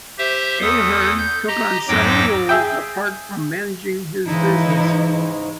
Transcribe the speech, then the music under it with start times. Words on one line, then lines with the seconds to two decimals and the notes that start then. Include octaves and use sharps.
Ahern took on several roles apart from managing his business.
0.18 G4 C5 E5
0.62 E2 A4 D#6
1.18 G6
1.48 G4 D#5 A#5
1.88 F2 G#2 F#3 G5 D6 A#6
2.49 G#4 E5 G5
4.26 G#2 C#3 E3 G#3 D#4 E4